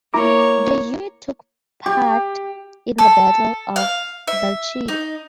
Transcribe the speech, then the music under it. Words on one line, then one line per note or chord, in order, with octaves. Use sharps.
The unit took part in the Battle of Belchite.
A#3 E4 C#5 A#5 D6
G4
A4
F5
E5
D#4